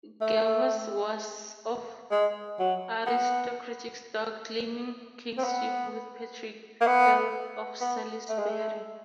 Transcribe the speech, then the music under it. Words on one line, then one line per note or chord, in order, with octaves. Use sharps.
Gervase was of aristocratic stock, claiming kinship with Patrick, Earl of Salisbury.
A3
G#3
F#3
B3
C4
B3
A#3
B3
B3
A3
G#3
A3